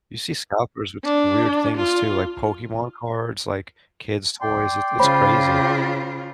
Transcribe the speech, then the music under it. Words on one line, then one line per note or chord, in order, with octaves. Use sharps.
You see scalpers with s weird things too, like Pokemon cards, like, kids' toys, it's it's crazy.
D4
F4
D5 G5 C6
C#3 F4 C5 C#5 B5